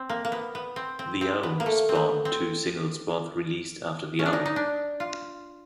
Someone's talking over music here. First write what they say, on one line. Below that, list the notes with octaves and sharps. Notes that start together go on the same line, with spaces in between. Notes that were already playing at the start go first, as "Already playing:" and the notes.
The album spawned two singles, both released after the album.
Already playing: C4
A#3
A#3
B3
B3
C4
C4
C4
B3
A#3
A3
C4
B3
C4
C#4
D4
D#4
D#4
D4
F4